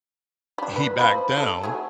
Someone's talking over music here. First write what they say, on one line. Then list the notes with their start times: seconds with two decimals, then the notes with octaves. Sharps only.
he backed down.
0.58 G3 D4
0.76 B4
0.99 F3 B4 B5
1.38 A4
1.63 F#3 A3 G#4